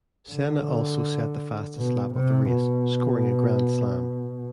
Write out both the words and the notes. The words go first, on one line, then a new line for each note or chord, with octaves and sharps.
Senna also set the fastest lap of the race, scoring a Grand Slam.
D3
B2
C3
B2